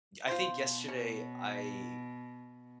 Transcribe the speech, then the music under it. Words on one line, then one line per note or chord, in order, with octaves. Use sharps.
I think yesterday, I
B2 F4 C5
C#4